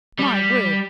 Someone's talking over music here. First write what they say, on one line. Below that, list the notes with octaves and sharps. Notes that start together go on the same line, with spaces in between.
My word!
G3